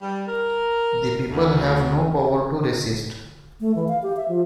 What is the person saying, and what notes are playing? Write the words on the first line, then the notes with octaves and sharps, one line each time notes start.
The people have no power to resist.
G3
A#4
D2
A3
E3
F5
G4
E5
F3